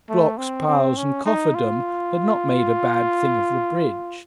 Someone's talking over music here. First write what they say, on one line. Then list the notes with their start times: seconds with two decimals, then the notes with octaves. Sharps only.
Blocks, Piles, and Cofferdam, had not made a bad thing of the bridge.
0.10 A3
0.38 C4
0.68 C4
0.97 C#4
1.26 D#4
1.55 F4